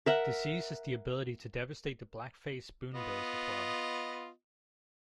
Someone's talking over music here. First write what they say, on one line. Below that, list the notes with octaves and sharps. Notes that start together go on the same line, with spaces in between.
Disease has the ability to devastate the black-face spoonbills as well.
A#4 E5 F#5
B3 F4 D#5